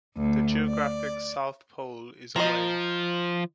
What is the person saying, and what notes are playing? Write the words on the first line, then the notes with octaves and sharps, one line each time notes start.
The Geographic South Pole is away.
D2
D5
F3 A#4 C5 D#5